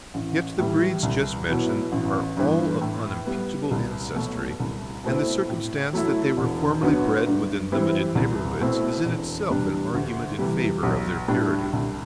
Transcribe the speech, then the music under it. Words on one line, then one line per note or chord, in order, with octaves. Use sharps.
Yet the breeds just mentioned are all of unimpeachable ancestry, and the circumstance that they were formerly bred within limited neighbourhoods is in itself an argument in favour of their purity.
A1
A2 E3 G3
C2
B2 F#3 B3 E4
A1
G2 E3 B3
A2
G3 B3
C2
B2 F#3 A3
C2
B2 A3 C4 E4
A2
F#3 A3 E4
E1
D2 D3 F#3 B3
G2
E3 G3 C4 E4
C2
B2 A3 C4 E4
E1
E2 C3 G3 D4
D2
C3 E3 G3
B1
A2 G3 D4
C2